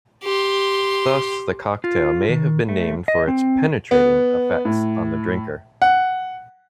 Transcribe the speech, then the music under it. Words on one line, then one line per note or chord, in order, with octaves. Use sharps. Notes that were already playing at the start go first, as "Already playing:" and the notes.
Thus, the cocktail may have been named for its "penetrating" effects on the drinker.
G4 C6
F4
D#3
A3
D#5
C4
B3
A2
F#5